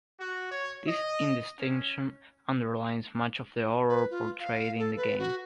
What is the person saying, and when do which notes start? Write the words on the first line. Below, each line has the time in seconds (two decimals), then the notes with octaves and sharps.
This indistinction underlines much of the horror portrayed in the game.
0.19 F#4
0.52 C#5
0.87 D#5
1.59 C#4
3.89 B4
4.11 F4
4.39 F5
4.79 A4
4.97 B4
5.19 F#4